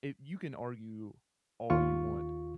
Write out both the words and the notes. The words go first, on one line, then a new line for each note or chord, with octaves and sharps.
i you can argue all you want
D#2 F4 C#6